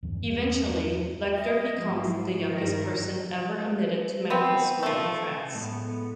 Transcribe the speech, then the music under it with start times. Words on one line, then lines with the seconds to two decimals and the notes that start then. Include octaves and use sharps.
Eventually, Lecter becomes the youngest person ever admitted to medical school in France.
0.03 E2 G2 E3 G3
1.38 D#5 E5
1.72 G#2 F3
2.04 E4
2.49 G2 D#3 A#4
4.30 B3 C4
4.83 F3 A3
5.53 A2 G#3 B3